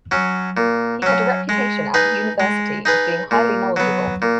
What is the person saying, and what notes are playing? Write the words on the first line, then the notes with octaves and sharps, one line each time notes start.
He had a reputation at the University as being highly knowledgeable.
F#3 C#4
A#2
F#3 C#4
G#3
D#4 G#4 B4
G#3
D#4 G#4 B4
A#2
F#3 B3
A#2